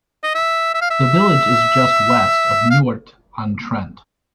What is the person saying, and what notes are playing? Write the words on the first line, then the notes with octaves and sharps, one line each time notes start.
The village is just west of Newark-on-Trent.
D#5
E5
E5
F5
E5
F5